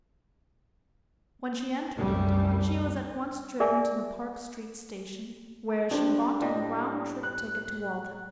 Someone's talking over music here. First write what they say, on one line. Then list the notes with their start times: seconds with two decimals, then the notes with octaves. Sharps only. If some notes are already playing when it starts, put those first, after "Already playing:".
When she entered it, she was at once driven to the Park Street station, where she bought a round trip ticket to Waltham.
1.96 C2 F#2 C3 G3 A3
3.60 G#4 A#4 D5 E5 G#5 A5
5.91 G2 D4 C5
6.41 A2 G3 D#5
7.23 F#6